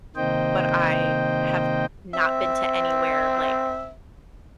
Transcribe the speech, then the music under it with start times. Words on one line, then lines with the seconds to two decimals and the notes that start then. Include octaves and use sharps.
But I have not been to anywhere, like,
0.16 C3 D#3 A#3 C5 D#5 G5
2.14 C4 E5